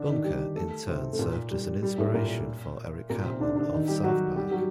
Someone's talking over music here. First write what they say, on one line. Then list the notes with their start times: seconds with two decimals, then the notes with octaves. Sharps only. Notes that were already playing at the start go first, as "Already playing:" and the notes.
Bunker, in turn, served as an inspiration for Eric Cartman of "South Park".
Already playing: D3 D4
0.08 D#3 D#4
0.24 G3 G4
0.56 A3 A4
0.88 C3 C4
1.13 A3
1.19 A#2 A#3
1.51 G3
1.83 G3
1.98 A2 A3
2.14 A#2 A#3
3.10 A#2 A#3
3.25 C3 C4
3.40 D3 D4
3.56 D3 D4
3.72 D#3 D#4
3.88 G3 G4
4.04 F#3 F#4
4.36 G3 G4
4.51 F#3 F#4